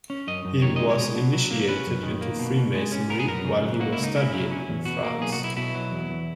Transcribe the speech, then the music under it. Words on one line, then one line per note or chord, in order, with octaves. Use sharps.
He was initiated into Freemasonry while he was studying in France.
C#4
F#2 D#5
F#2
D#3 C#5
G#3 D#5
C#5
B2
B2
F#3
A#3
C#4 B4
F#2
D#3
A#3
B2
B2
G#3
C#4
B3 A#4
G#4
F#2 A#4
C#3
F#3
A#3 F#4
E4
C#2
D#4
C#3 E4
F#3
C#4
E2
B2 F#4
A#3
B1 G#4
F#4
B1
E4
B2 E4
F#3
E2
E2